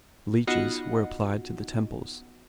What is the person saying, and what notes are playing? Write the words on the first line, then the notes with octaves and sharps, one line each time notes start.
Leeches were applied to the temples.
B3 D#4 F4 F#4 D#5 F#5